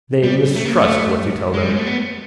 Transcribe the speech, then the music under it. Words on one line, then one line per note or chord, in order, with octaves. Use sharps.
They mistrust what you tell them.
G3
A3
A#3
A3
G#3
G3
G#3
A3
B3